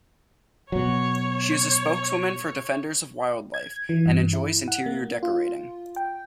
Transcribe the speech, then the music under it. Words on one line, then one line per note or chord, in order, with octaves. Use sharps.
She is a spokeswoman for Defenders of Wildlife, and enjoys interior decorating.
B2 F#3 C#5
G#6
E3
G2
E4
F#5
A#3
F4
G5